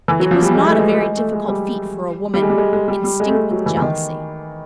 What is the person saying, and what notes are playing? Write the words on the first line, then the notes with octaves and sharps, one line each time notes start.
It was not a very difficult feat for a woman instinct with jealousy.
E3
F#3
F3
G3
G#3
A3
G#3
G#3
G#3
A3
G#3
G3
G3
G#3
G3
G#3
G#3
G3
G3
G#3
A3
G#3
F#3
E3
E3
D#3